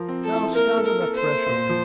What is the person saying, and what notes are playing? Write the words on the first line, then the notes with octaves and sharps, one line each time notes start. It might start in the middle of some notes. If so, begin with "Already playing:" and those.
Now stand on that threshold.
Already playing: F3 A#4
C4
A4
E4
A#3 A#4
A4
A#4
A4
C5
A#3
A#2
F3